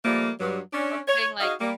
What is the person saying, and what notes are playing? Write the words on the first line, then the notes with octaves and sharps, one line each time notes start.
or putting, like,
F3 G3 A3 A#3
G2 F#3
C#4 D4
C#5
D#4 F#4 G#4 D#5 F5
G3 A#3